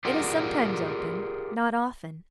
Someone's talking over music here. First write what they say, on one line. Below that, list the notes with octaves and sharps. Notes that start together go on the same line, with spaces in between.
It is sometimes open--not often.
F4 G4 G#4 A#4 D5 F#5